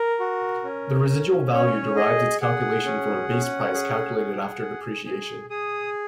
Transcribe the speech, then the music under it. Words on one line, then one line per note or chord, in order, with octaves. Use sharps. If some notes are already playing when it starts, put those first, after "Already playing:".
The residual value derives its calculation from a base price, calculated after depreciation.
Already playing: A#4
F#4
C#4
C#4
C#4 C#5
G#4 D#5
G#4 F#5
C#4
C#4
G#4
G#4
G#4
G#4
G#4 D#6